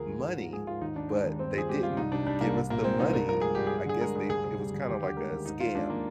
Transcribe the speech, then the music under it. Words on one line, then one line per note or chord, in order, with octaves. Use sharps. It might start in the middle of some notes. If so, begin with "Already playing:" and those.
money, but they didn't give us the money. I guess they it was kinda like a scam,
Already playing: D2 F3 G#4 A#4
G#3
G#2
F3
G#3 G#4
G#2 F4
D#2 D#4
D#3 D4
G#3
D#2
G2 C4
F3 G#4
G#3 G4
G2 F4
C2 D#4
C3 D4
G3 D4
C2 A#3
C2
A#2 A#3
G#3 C4
C2 D#4
G2 A#4
F3 A#4
G#3 G#4
G2 G4
G2 G#4
D3 G#4
G#3 A#4
G2 G#4
D2 G#4
C3 G#4
G3
D2
D#2 G4
D3 G4
G#3 A#4
D#2
G#2 D#4
D#3 F4
G#3 D4
A#3